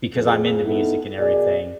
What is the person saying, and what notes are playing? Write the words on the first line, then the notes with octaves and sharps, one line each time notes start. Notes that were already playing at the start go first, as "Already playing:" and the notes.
because I'm into music and everything,
F2 G#4
B3 D#4 E4 A4
B2 G#4 A#4 D5